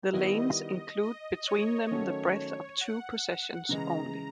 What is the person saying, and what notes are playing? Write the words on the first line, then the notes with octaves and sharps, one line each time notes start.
The lanes include between them the breadth of two possessions only.
D#3 G3 B3 E4 D#5
D#5
C#5
D#3 F#3 A3 C#4
F#5
C#3 E3 G#3 A#5